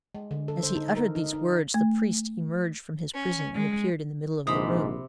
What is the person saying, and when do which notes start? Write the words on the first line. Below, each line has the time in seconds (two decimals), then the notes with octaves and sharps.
As he uttered these words the priest emerged from his prison and appeared in the middle of the room.
0.15 G#3
0.31 D3
0.48 A4
0.63 C5
0.75 D#4
0.97 A#4
1.15 D#4
1.33 D#4
1.74 A3
3.13 C#4
3.54 G#3
4.47 A#1 G#2 C3 B5 D#6